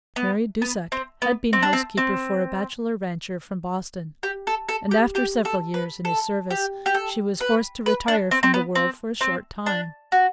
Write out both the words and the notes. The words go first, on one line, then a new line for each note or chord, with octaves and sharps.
Mary Dusak had been housekeeper for a bachelor rancher from Boston, and after several years in his service she was forced to retire from the world for a short time.
B3
B3
C4
B3
C4
D4
C4
C4
G4
A4
A4
G4
G4
A4
B4
A4
G4
G4
A4
B4
B4
D4
C4
C4
B3
C4
C4
D4
F#4